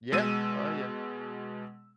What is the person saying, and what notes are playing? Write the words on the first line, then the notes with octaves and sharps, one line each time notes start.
Yeah. Oh, yeah.
B2 G#3 E6 D#7